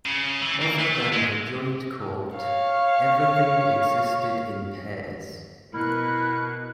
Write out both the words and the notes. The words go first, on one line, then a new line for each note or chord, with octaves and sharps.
Other than the Joint Court, everything existed in pairs.
C#3
E3
A#3
A3
G#3
C#5 F5
B2 E4 A#4 F#6